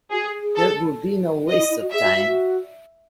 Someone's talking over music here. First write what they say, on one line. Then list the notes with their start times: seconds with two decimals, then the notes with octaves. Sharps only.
There would be no waste of time.
0.12 F#4 G#4
0.27 G#4
0.42 G#4
0.56 A4
1.48 F#4 D#5
1.59 E4
1.70 E4
1.82 F#4
1.93 G#4 E5
2.04 F#4
2.16 F#4
2.27 F#4